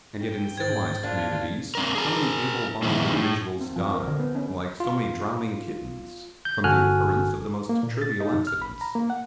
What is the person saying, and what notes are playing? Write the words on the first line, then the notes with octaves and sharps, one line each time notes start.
And yet in civilized communities how many able-bodied individuals die, like so many drowning kittens, from the occurrence of the most trivial accidents!
G5
G#2 C5 G#6 A6
A#3 D4 F4
C4 D4 A#4
G#4 A#4
A#2 D#3 F3 G#3 B3 E4
A2
C4
F3
A#4
D3
B3
C#4
F4
G6
G1 F#4 A4 G#5 F6 F#6
A#3
A#2
A6
D#4
F#2
F6
B5
A#5
A#3
F#5